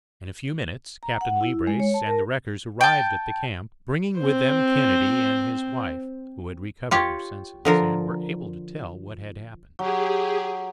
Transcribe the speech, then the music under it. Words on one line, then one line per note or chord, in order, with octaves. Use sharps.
In a few minutes Captain Leebrace and the wreckers arrived at the camp, bringing with them Kennedy and his wife, who had recovered their senses, and were able to tell what had happened.
A#5
F#5
E4
G#3
C#5
A5
A#4
G5 A5
C4 C5
F4 G4 C#5
D3 F3 A#4
F#3 G4 G#4